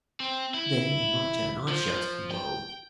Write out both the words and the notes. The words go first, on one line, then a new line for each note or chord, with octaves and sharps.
Then, in my turn, I shouted "Whoa!"
C4
E4
F3
G5